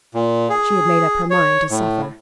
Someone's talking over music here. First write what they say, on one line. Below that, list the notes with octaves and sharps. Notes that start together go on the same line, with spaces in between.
She had made up her mind to suffer.
A#2
G#4
C#5
A2